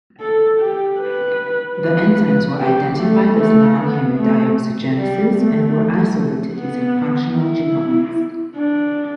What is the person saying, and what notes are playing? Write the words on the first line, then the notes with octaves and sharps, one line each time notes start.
The enzymes were identified as non-heme dioxygenases, and were isolated using functional genomics.
A4
G4
B4
B4
G4
A3
A3
B3
A3
G3
A3
B3
E4
D4